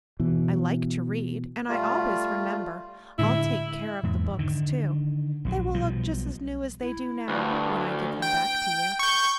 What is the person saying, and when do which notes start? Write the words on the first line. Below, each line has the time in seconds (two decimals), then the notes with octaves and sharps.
"I like to read, and I always remember. I'll take care of the books, too; they will look just as new as they do now, when I give them back to you."
0.20 B2 E3
1.69 G3 A3 F4
3.19 A2 D3 G#3 E4
4.03 E2 G#2
4.39 D3 D#3
5.45 A#1 D#3 F#3
5.74 B1 B2 F3 G3
6.80 E4
7.29 D2 G2
8.22 G5
8.99 C#6 G6